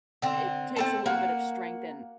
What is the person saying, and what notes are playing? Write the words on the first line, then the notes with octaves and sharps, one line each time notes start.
it takes a little bit of strength and
D3 C4
C4 A4 A5
A#3 F#4